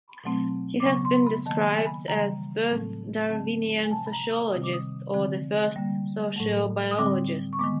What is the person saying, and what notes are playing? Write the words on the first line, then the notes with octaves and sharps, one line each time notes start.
He has been described as "first Darwinian sociologist" or "the first sociobiologist".
B2 F#3 A3 C4
D6
C#3 F#3 B3 C#6
C6
B5
D#3 F#3 A#3 A5
G#5
B5
C#3 E3 G3 A#5
A2 F#3 A3 C4
D3 F#3 A3 C4 A5
G#5
C3 F3 G#3 A5
B5
A#5
D#6
C3 D#3 G3 C4 D#6
D6
D#6
D3 F3 G#3 C4
D3 G3 A#3
A2 F#3 A3
D#6
D3 G3 C4 D6
C#6
D#3 G#3 B3 D6